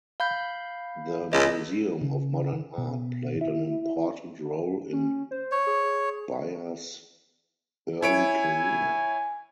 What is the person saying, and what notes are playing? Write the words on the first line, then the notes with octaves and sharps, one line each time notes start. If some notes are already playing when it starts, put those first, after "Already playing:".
The Museum of Modern Art played an important role in Byars's early career.
F5 B5 G6
C#2 D#5
C#3
B2
E4
C#4
C5
C#5
G#4
E4 C#5 G#5 D7